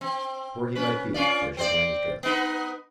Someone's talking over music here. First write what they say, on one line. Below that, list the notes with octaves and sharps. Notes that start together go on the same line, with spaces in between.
Poor he might be, judging by his dress.
C4
C#4 B4
C#4 F4 D5
C4 C5 D5
B3 D#4 B4